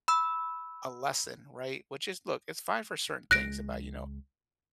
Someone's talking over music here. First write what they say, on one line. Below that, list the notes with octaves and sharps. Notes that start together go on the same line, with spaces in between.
a lesson, right, which is look, it's fine for certain things about you know,
B5 E6
C#2 G#3 F#6 A#6 D7